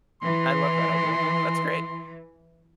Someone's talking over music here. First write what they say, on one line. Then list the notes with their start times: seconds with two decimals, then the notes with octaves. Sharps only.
I love that idea. That's great.
0.22 E3 C6